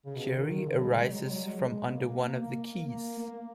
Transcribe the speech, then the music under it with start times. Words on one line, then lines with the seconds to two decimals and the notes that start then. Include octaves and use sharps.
Jerry arises from under one of the keys.
0.06 C#3
0.16 B2
0.26 C#3
0.37 D#3
0.68 C#3
0.77 F#3
0.84 G#3
0.99 G#3
1.11 F#3
1.20 G#3
1.31 F#3
1.46 G#3
1.85 B3
1.93 A#3
2.24 A#3
2.41 A#3
2.56 A#3
2.87 A#3
3.18 A#3
3.29 A#3